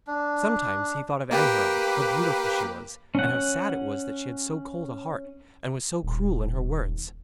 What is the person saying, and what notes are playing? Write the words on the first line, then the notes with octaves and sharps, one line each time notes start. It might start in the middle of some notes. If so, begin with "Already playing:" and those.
Sometimes he thought of Angharad, how beautiful she was, and how sad it was that she had so cold a heart, and was so cruel in her words.
D4
A#3 G4 B4
C#4 F#5
D#1